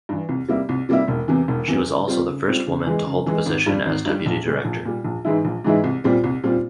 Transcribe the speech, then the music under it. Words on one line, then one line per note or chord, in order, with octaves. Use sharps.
She was also the first woman to hold the position as deputy director.
G2 E3
C2
C3 G3 A#3 E4
C2
C3 G3 A#3 E4
E1
E2 C3 E3
E1
E2 C3 E3
C#3
G3 C4 F4
C#3
G3 C4 F4
C#3
E3 G#3
C#3
E3 G#3
G#1
G2 G3
G#1
G2 G3
A#1
A#2 G3
A#1
A#2 G3
A#1
G#2 E3 G#3 E4
A#1
G#2 E3 G#3 E4
C2
A#2 G3 C4 F4
C2
A#2 G3 C4 F4